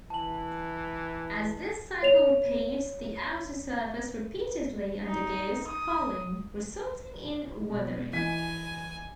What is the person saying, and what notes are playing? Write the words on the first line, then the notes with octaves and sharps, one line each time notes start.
As this cycle repeats the outer surface repeatedly undergoes spalling, resulting in weathering.
E3 A5 F#7
C#5 F7
D#4
D#6
B2
E3 D#5 G#5 B6